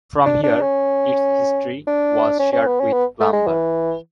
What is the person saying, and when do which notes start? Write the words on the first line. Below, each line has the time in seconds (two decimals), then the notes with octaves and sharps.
From here its history was shared with Clumber.
0.26 D4
0.44 D4
0.61 C#4
1.87 D4
2.39 C#4
2.53 C#4
2.67 B3
2.80 C#4
2.93 B3
3.20 A3
3.33 G#3
3.47 E3